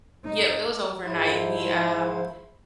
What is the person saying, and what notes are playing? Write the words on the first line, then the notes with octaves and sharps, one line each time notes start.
Yep, it was overnight. We, um
D#4
G#2 F3 E4 C5